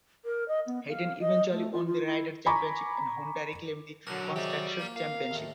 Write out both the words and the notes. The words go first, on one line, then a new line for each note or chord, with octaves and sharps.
Hayden eventually won the rider championship and Honda reclaimed the constructor's championship.
A#4
D#5
B3
F5
D#5
A3
F4
F4
E4
G#5 A#5 B5 C#6 D6
B1 D3 F#3 A#4
C3 D#3 G#3 G4 D5
A#3 F4
A#4 F5
D#2 A2